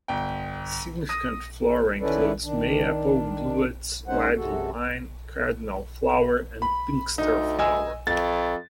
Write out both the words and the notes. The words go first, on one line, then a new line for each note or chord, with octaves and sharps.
Significant flora includes mayapple, bluets, wild lupine, cardinal flower, and pinxter flower.
G1 G5
D#6 A#6 D#7
D#3 C#4 E4 A4 B4 D5
D#3 D4
G#3 C#4 D#4 C5 F#5
F#2 C3 G#3 F#4 A4
B5
D2 D#4
D#5 G#5 E6
F2 A6